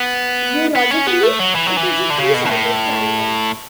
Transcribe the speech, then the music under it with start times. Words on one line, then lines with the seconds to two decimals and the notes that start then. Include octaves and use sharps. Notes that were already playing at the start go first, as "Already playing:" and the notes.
Geologically, it is a three-sided canyon.
Already playing: B3
0.76 B3
0.91 C#4
1.07 B3
1.23 A3
1.39 F#3
1.55 E3
1.66 F#3
1.77 E3
2.10 D3
2.19 C#3
2.34 B2
2.46 B2
2.50 A2